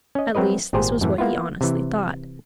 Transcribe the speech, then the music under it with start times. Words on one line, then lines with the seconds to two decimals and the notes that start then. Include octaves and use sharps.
At least, this was what he honestly thought.
0.15 C#4 D#5
0.35 F#3 C4 A#4 B4 D#5
0.73 G#1 A#2 G4 G#4 C5 A#5
1.01 F#2 A2 E3
1.18 A#3 B3 E4 F4
1.61 C3 E3